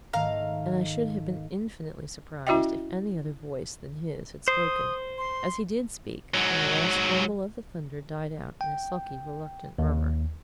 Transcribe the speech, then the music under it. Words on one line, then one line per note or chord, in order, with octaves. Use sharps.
And I should have been infinitely surprised if any other voice than his had spoken--as he did speak when the last grumble of the thunder died out in a sulky, reluctant murmur.
G#2 D#3 A3 F5 A#5
C#4 E4 F#4 D#5 E5 G5
C5 D#6
C6
G#2 F#3
G5
D#2